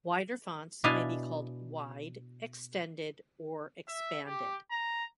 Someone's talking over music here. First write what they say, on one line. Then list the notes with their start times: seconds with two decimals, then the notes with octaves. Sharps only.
Wider fonts may be called "wide", "extended" or "expanded".
0.84 B2 D4 E4 D#5 F5 G#5
3.88 E5
4.26 G4
4.71 A#5